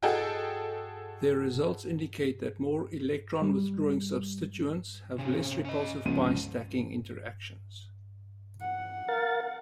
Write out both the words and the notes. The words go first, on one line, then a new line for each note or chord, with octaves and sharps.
Their results indicate that more electron-withdrawing substituents have less repulsive pi stacking interactions.
F#4 G#4 A4 D#5 F#5 G5
G3
C3 C#4
C#4 D#5
C#2 F3 G3 D#7
F#5
A#4 F5 A6